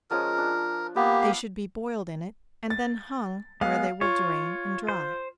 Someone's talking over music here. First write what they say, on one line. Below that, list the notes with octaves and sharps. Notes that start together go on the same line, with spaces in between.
They should be boiled in it, and then hung where they will drain and dry.
F3 G#3 C#4 A#4
D4
A#3 B3 G4
F5
A6
G#3 B3 F5
F4 C#5
C5